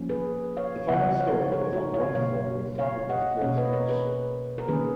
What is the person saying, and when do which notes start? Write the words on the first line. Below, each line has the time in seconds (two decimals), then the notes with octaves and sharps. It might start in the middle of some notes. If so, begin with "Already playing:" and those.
The final store was on one floor, with comparable floor space.
Already playing: F3 A#3 C#4
0.09 G#4 B4
0.57 C#5 F5
0.88 C#3 F3 B3 D#5 F#5
1.20 C#5 F5
1.52 A#4 C#5
1.73 F#4 A#4
1.94 C#5 F5
2.15 B2 F#3 A#3 C#5 F5
2.78 C#5 F5
3.10 D#5 F#5
3.41 B2 A#3 C#4 C#5 F5
3.57 B4 D#5
3.73 A#4 C#5
3.89 G#4 B4
4.58 A#4
4.68 D#3 A#3 C#4 G#4 B4